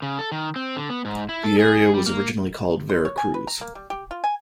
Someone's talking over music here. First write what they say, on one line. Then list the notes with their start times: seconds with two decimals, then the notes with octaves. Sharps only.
The area was originally called Vera Cruz.
0.02 C#3
0.19 A4
0.32 D#3
0.56 C4
0.76 D3
0.90 B3
1.05 G#2
1.29 E4
1.43 A4
1.59 G#4
1.94 G3
2.06 A#3
2.90 C5
3.05 C#5
3.18 G#5
3.34 B4
3.47 A#5
3.61 A#3
3.75 G3
3.90 G4
4.11 F4
4.24 G#5